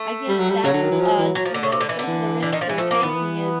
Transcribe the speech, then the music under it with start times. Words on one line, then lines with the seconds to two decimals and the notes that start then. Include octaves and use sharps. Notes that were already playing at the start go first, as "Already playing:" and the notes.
I guess that, uh, you know, those are the risks we're taking as
Already playing: A3
0.28 G3
0.39 F#3
0.50 G3
0.64 C#3 F#3
0.73 D3
0.82 D#3
0.91 E3
1.00 F3
1.18 E3
1.35 F#3
1.45 F3
1.54 D3
1.63 C#3
1.72 C3
1.80 D3
1.89 E3
1.99 D3
2.07 E3
2.42 D3
2.52 D#3
2.61 F3
2.69 E3
2.78 F3 A3
2.91 A#3
3.03 D#3 B3
3.15 E3